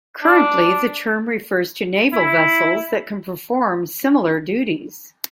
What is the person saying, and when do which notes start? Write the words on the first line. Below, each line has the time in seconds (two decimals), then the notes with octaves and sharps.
Currently the term refers to naval vessels that can perform similar duties.
0.23 D4
2.13 E4